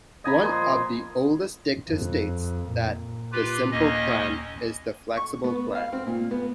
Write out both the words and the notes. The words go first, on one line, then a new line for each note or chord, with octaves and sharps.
One of the oldest dicta states that the simple plan is the flexible plan.
D#5 G#5 A#5 B5
A#2 F3 G#5 C6
F2
A#2
F4 G4 B4
D#2 C#4 D#5
C#6
B3
F5
C4
A#2
B3